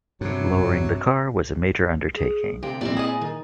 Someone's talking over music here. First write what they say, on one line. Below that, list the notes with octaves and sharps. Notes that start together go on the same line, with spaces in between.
Lowering the car was a major undertaking.
G2 C3 F#3
G#4
D2 C3 G4 F5 G5
A#2 C4 E4 G4 D5
G#4 D#5 G#5
D#3